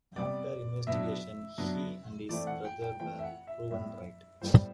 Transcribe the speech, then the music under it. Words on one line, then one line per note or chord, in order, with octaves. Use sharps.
After investigation he and his brother were proven right.
C3 G3 B3 D5
B2 F#3 B3 D4 E5
B2 F#3 B3 D4
E3 A3 C4 D5
F#5
G5
G5
E3 A3 C4 G5
E5
F#5
E5
A2 G3 B3 E5
A2 G3 B3 C5